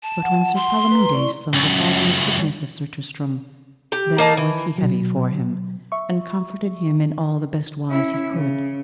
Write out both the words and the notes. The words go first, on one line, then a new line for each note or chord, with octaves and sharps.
But when Sir Palomides saw the falling of sickness of Sir Tristram, then was he heavy for him, and comforted him in all the best wise he could.
A5
F#5
C6
B4 A#5
E4 D5 C#6
C#2 F#2
G4
A#3 D#4 A5
E3
B2 F#3
E5 C#6
C#4 E4
C#3